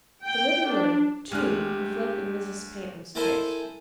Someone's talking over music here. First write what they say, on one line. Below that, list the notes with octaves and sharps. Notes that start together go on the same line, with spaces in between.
The living-room, too, reflected Mrs. Pantin's taste.
G5
D4
D2 G#3 G4 F6 F#6
E4 A4 A#4 C5 G#5 A5